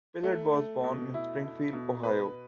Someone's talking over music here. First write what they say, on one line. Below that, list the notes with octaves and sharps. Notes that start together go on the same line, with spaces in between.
Pillard was born in Springfield, Ohio.
A3
A3
B2
E4
E4
B2
B4